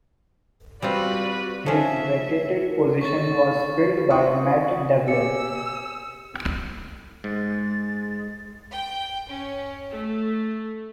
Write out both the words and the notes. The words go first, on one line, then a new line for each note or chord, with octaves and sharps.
His vacated position was filled by Matt Devlin.
G3 C4 F4 F#4 B4 D5
F3 C#4 E5
A#4
A2 C#5 C#6 A6
E5 F#5 C6 C#6 D#6
G4 G#4 E6 C#7
G#2 G#3 A6
G5
C#4
A3